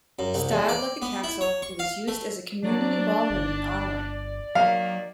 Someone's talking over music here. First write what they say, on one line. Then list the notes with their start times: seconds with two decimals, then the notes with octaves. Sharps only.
Styled like a castle, it was used as a community ballroom and armory.
0.19 F#2
0.35 C2
0.51 E2
0.69 D5
1.02 B3
1.24 E4
1.41 C#5
1.62 C#6
1.79 F5
2.08 A3
2.63 F#3 D4 D5
3.30 G1
4.55 D#3 F#3 A#3 F5